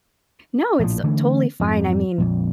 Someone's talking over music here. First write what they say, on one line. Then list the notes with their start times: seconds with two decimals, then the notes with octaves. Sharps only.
No, it's, uh, totally fine. I mean,
0.79 A#1 A2 D#3 F3
1.03 D3 E3 A3
1.60 F2 G#2
2.18 A#1 F2 A#2